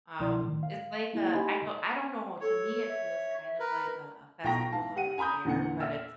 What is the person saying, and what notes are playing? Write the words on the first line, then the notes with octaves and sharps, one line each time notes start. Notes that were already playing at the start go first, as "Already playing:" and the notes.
Um, it's like a I go I don't know, to me, it feels kind of like a a festival or a fair, but it's
C2 B2 F3 E4 D5 C6
A2 D#3
F5
A#3 E4 G#4
D#4 G4 D#5 G#5 B5 C6
A4 C#5
E5
A#4 B4
B1 F4 G5 A#5 C#6 A#6
G#2 F5 A5
G4 F#5 D#7
G#5 A#5 B5 D#6 G6
E2 A#2 D3 F#5 C#7
E5 E6 F6